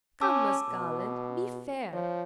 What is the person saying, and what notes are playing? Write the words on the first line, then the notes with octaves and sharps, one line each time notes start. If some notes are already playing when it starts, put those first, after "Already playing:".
Come, Miss Garland, be fair.
C#4 A5 D6 E6
B2
F3 C#5